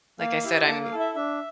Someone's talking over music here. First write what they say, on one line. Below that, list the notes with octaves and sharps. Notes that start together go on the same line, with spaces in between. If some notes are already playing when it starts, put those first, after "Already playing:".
like I said, I'm
A#3 F5
E4 G4
A#3 A5
F5
E4 A4
E5
D4 E5